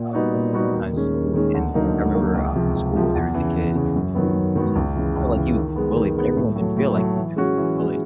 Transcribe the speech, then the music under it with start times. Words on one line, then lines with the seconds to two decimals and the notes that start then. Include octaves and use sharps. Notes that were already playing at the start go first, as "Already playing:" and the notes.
um, you know, sometimes people can like, I remember, um, in school there is a kid who he felt, like, he was getting bullied, but everyone didn't feel, like, they were getting bullied,
Already playing: A#2
0.13 G3 B3 D#4 F#4
0.34 A#2
0.53 G3 B3 D#4 F#4
0.74 D#2
0.93 D#3 G#3 C#4
1.13 D#2
1.34 D#3 G#3 C#4
1.54 D2
1.74 D3 F#3 A#3 D#4
1.94 D2
2.14 D3 F#3 A#3 D#4
2.34 C#2
2.55 C3 F3 G#3
2.75 C#2
2.95 C3 F3 G#3
3.15 E2
3.34 C#3 E3
3.55 E2
3.75 C#3 E3
3.96 F#2
4.15 D#3 F#3 B3
4.35 F#2
4.56 D#3 F#3 B3
4.75 C#2
4.96 C#3 E3
5.16 C#2
5.36 C#3 E3
5.56 D#3
5.76 G#3 B3
5.96 D#3
6.17 G#3 B3
6.36 A2
6.56 F#3 A3
6.77 A2
6.97 F#3 A3
7.17 E3
7.36 G#3 C#4 F#4
7.57 E3
7.77 G#3 C#4 F#4